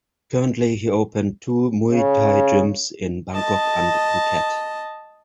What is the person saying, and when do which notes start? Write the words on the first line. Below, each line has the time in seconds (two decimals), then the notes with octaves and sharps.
Currently, he opened two Muay Thai gyms in Bangkok and Phuket.
1.92 C#3
3.31 D#5 A5